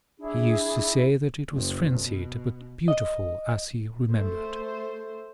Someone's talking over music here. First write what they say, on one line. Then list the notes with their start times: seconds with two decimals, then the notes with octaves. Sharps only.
He used to say that it was frenzied but beautiful as he remembered.
0.18 D4 E4 G#4
1.52 F#1
1.98 B2
2.88 D#5
4.11 A3 C5